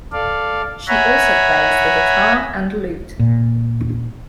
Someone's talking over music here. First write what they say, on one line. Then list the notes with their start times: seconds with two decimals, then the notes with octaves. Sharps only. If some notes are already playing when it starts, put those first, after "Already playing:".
She also plays the guitar and lute.
0.12 A4 D5 F5
0.88 C#5 E5 F#5 G#5 A#5 B5
3.19 A#2